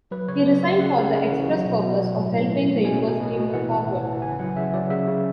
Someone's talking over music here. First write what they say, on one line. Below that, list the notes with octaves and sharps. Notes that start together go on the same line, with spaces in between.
He resigned for the express purpose of helping the university move forward.
F#3 B4
C#3 C#5
F#3 D5
F#3 E5
C#3 F#5
C#3
C#3
E3
F#3
B2
B2
F#3
A2
A2
E3
A2
B2 G#5
B2
B2
B2
E3 F#5
A2
E3
E3
C#3 G#5
F#3 F#5
C#3 E5
F#3 D5
C#3 E5
C#3